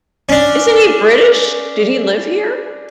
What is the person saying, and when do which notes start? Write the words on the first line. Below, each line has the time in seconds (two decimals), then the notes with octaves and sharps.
Isn't he British? Did he live here?
0.29 C#4 D4